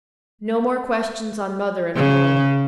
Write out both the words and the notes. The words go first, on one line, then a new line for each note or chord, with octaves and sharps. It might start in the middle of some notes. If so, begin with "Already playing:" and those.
No more questions on mother and home!
C#3